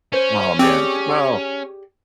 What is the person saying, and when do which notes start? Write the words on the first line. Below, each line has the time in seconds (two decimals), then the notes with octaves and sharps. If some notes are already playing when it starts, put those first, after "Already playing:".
Aw, man. No.
0.13 C#4 C5
0.59 C4 G4 G#4 D5